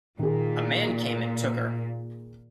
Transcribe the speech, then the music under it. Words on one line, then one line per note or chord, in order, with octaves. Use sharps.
A man came and took her.
A#2 D#3 G#4